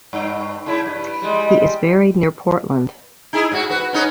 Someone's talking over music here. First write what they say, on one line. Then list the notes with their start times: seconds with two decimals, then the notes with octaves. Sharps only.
He is buried near Portland.
0.13 G2
0.66 C#3 E4
0.86 G2
1.22 G3 G#3
3.33 D#4 E4 G#4
3.52 G#2 F#4
3.69 F#4 B4
3.93 C#4 D#4 B4